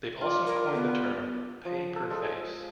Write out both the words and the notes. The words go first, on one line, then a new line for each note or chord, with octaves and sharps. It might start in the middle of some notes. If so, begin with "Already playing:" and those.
They've also coined the term pay-per-face.
F4 D5
A#4
B3
F3
A4
G#3